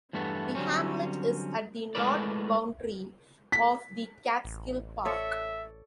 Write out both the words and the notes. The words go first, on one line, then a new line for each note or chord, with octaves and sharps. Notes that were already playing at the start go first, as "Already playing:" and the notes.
The hamlet is at the north boundary of the Catskill Park.
E2 G2 A3 B3
D3 F#3 G3 C4 C#4
G#3 A3 E4 A#4 B4 D5
B6
A1
A4 C#5 D5 E5